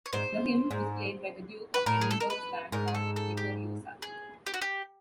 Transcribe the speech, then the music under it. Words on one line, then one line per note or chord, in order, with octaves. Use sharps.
The hymn was played by the Duke of Edinburgh's Band, of Vittoriosa.
C#5
G#2 C5
G#2
B4
A2 A#4
G#4
A4
A#4
B4
G#2 A#4
G#4
A4
A4
G4
G#4
G4
F#4
G4